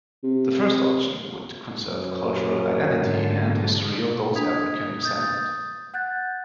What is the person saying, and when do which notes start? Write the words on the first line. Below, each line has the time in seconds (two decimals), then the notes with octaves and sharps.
The first option would conserve cultural identity and history of those African descendant.
0.24 C3
1.83 F#2
2.97 G#2 D3
4.35 D4 D#6 G#6 B6 F7
5.03 D#6 G6 A6
5.94 F#5 F#6 G6 A6